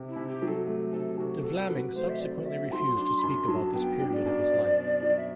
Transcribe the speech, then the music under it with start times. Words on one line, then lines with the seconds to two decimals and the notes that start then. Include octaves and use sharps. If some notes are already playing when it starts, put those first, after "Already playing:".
De Vlaeminck subsequently refused to speak about this period of his life.
Already playing: C3
0.09 E4
0.16 C3
0.28 G4
0.42 F#3
0.48 A4
0.67 A3
0.92 C3 A4
1.18 C3 F#4
1.43 F#4 A4
1.69 F#3 B4
1.95 A3 C5
2.10 E5
2.20 C4 D5
2.46 F#4 E5
2.72 F#3 C6
2.97 D4 C6
3.18 B5
3.23 F#2 C6
3.48 F#3 A5
3.74 B3 G5
4.00 D4
4.13 D5
4.25 F#2
4.51 C4
4.76 B2
5.02 F#3
5.17 E5